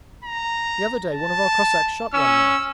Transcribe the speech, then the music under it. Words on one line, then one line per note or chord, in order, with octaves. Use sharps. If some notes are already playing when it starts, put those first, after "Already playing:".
The other day one of our Cossacks shot one there.
A#5
A5
C#4 E6